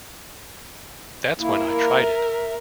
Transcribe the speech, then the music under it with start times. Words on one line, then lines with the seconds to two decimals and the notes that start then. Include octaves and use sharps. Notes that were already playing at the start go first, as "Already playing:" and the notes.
That's when I tried it.
1.40 A#3 E4
1.71 A#4
2.02 E5